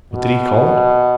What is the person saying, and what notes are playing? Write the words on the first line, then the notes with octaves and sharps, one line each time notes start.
What did he call it?
B2